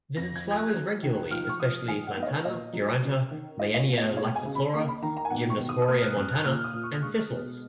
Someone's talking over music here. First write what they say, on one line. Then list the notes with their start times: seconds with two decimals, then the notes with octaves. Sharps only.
Visits flowers regularly especially "Lantana", "Duranta", "Meyenia laxiflora", "Gymnosporia montana", and thistles.
0.17 F2 A#6
0.36 G#6
0.45 F3
0.51 G#6
0.55 F#6
0.74 F#3
1.03 D#3
1.31 F3 F6
1.49 C#6
1.59 F3 D#6
1.88 D#3 G#5
2.07 F#5
2.17 B3
2.23 D#5
2.26 C#5
2.45 A#2 D#5
2.73 F#3
3.03 C#4
3.31 D#3
3.59 F4 D#5
3.74 D#5
3.79 C#5
3.88 B2
3.97 D#5
4.16 G#3 C#5
4.36 G#5
4.45 C#3
4.55 B5
4.73 A#3 C#6
4.88 B5
5.02 D#3 A#5
5.17 A#5
5.25 G#5
5.30 B2 F#5
5.50 C#6
5.59 B2
5.69 D#6
5.82 D#6
5.88 A#3 F6
6.03 F#6
6.16 F#2 F#6
6.30 F#6
6.45 A#2 F6
6.64 D#6
6.74 A#2
6.83 C#6
7.02 G#3 C#6
7.31 B2